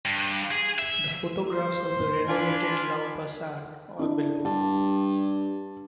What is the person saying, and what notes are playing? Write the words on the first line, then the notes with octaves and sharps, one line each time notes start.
The photographs of the renovated Lau pa sat are below.
G2
G#4
E5
C5 C6
D4 F4 G#5 B5
D4 E4
G2 A5